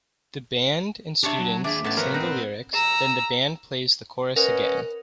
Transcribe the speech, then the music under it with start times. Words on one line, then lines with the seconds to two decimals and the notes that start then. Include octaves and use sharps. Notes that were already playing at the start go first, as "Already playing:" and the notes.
The band and students sing the lyrics, then the band plays the chorus again.
1.23 D4 G4 C#5 E5 A5
1.39 F#3
1.64 D#2 D4 G#4 D5 E5
1.84 A2 A3 B3 C#4 A5
1.97 F3 F#3 B3 A#4 B4 C#5
2.14 C4 D#4 F#6
2.73 A#5 E6
4.36 C#4 A#4 B4 D#5 F#5